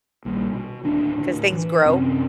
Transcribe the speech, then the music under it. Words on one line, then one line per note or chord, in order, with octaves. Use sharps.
'Cause things grow?
A#1 D#2 G3
B2
D1 D#2 D4
D2 A2
E3
F#2 C3 C4 C#4